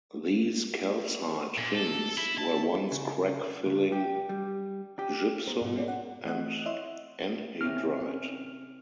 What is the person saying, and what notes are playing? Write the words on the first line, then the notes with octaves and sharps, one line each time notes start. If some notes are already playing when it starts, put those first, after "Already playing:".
These calcite fins were once crack filling gypsum and anhydrite.
A#2
A4
E4
A5
C#3
C#2
G4
G3
G4
A#3 B3 A#4 C5
G#2 B2 G3
G#3 A#3 C#4 G#4 C#5 D5
F#5
E3 A3 C4 D#5 F#5 F#6
E4 C#5 D#5 E5 C6
C3 C#4 A#4 F6